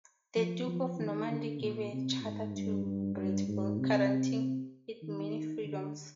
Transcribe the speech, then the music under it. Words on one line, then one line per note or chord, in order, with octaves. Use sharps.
The Duke of Normandy gave a charter to Breteuil guaranteeing it many freedoms.
F3
F3
D#3
D3
A#2
C3
G#2
G2
G2
G2
G#2
C3
D#3
D3